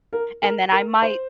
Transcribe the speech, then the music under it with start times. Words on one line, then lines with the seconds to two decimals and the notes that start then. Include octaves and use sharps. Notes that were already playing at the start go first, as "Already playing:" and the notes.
and then I might
0.13 A#4
0.42 A#4
0.72 A#4
1.02 C5